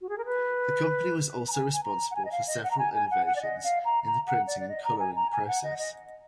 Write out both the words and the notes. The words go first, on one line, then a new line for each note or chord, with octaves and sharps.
The company was also responsible for several innovations in the printing and coloring process.
F#4
G#4
A#4
B4
A#5
G#5
G#5
A#5
F#5
G#5
D#5
F5
D#5
F#5
A#5
G#5
G#5
F#5
F#5
D5
D#5
F5
A#5
A#5
F#5
D5
D5
D#5
A#5
G#5
A#5
G#5
F#5
D#5
D#5